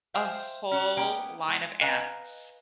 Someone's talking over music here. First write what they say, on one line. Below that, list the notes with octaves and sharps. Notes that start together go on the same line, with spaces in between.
a whole line of ants
C5 E5 F5 G5
C#4 F#4
A#3 B3 C#4 G5
G#3
B4 D#5 F5 F#5 G#5 A#5